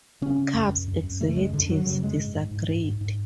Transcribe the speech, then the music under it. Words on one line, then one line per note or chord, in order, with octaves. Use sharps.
Cubs executives disagreed.
C#3 C#4
C#3
F#2
F#2
F#2
F#2
C#3 A3
F#2 G#3
F#2 D3
F#2 F#3
C#3 F#3
F#2 G#3
G#2
G#2
G#2
G#2
G#2
G#2